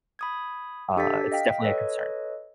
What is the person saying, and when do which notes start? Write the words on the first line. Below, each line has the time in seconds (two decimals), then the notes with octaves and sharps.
uh, it's definitely a concern.
0.19 B5 D#6 G#6
0.97 D4 G4 A4 G6 A6 B6
1.32 D#5 F5 G5 B6
1.62 A4 B4 C#5 D#5